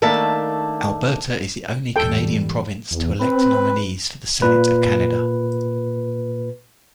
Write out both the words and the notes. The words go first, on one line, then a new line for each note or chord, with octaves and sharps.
Alberta is the only Canadian province to elect nominees for the Senate of Canada.
D#3 A3 A#3 D4 E5 A5
E2 G#2 G3 A4 G5
E2
C4 B4
A#2 B4